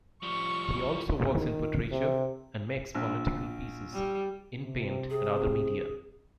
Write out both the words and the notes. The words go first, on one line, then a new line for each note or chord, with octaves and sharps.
He also works in portraiture and makes political pieces, in paint and other media.
F3 G3 C#6
D#3
C3
A#1
G3
C3
G#4